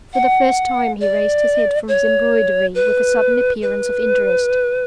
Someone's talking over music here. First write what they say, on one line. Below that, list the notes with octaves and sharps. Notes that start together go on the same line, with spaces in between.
For the first time he raised his head from his embroidery--with a sudden appearance of interest.
F#5
D5
C#5
B4
B4